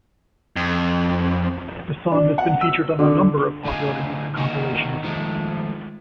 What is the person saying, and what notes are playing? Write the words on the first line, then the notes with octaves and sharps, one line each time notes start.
The song has been featured on a number of popular music compilations.
F2
D4
F#5
E6
D3
A2 D3 D#4 F4 G#4 G#5
D#3 A#3 D#4 F#4
D#3 F3 G#3 A3